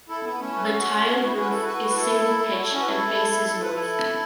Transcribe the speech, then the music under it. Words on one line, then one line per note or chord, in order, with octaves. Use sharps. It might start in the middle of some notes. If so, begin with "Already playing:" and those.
The tiled roof is single pitch and faces north.
E4 A4
B3 E4
A3 C#4
B4
A4
C#4 F#4
B3
C#4
E4
C#4 F#4
B4
E4 A4
F#4 B4
B4
E4 A4
F#4
E4 A4
C#4 F#4
B4
E4 A4
A4
B4
E4 A4